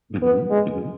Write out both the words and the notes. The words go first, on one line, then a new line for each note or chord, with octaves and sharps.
Mhm. Mhm.
B3
G#3